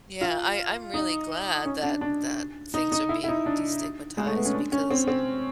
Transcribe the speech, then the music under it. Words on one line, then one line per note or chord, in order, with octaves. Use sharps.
Yeah, I I'm really glad that that things are being destigmatized because,
F4
D#4
C#4
D4
D4
D#4
D#4
E4
E4
D#4
D4
G#3
A3
B3
C#4
D4
C#4
C4
C4